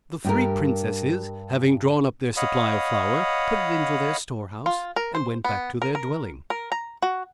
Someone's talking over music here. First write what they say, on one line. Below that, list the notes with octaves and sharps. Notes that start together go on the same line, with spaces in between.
The three princesses, having drawn up their supply of flour, put it into their storehouse, and went back to their dwelling.
G2 G4 A#4
C#5 D#5 F5 F#5 B5 D#6
F4
A#4
C5
B3
A#4
A#4
A#4
A#5
F#4